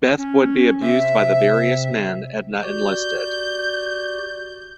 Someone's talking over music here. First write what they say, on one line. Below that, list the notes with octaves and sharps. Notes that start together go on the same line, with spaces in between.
Beth would be abused by the various men Edna enlisted.
C#4
C3 E5
F#4 G4 D5 G6